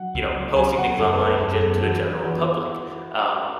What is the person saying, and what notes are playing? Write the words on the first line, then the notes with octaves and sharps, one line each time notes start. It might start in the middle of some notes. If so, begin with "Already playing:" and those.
you know, posting things online in gen to the general public. Um
Already playing: F#3 F#5
C#2
F#3
F#3 G#5
C#3 F#5
F#2 A4
B4
B3 A4
F#2 G#4
G#4
F#2 A4
G#4
E3 F#4
F#4
B3 G#4
B4
E3 F#4
E4